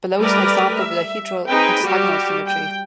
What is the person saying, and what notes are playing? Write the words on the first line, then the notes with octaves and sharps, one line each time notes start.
Below is an example with dihedral hexagonal symmetry.
G3 A3 A#4 B4 D5
E5
C4 D#4 G#4 B4 G5
G3 F#4 G4
G5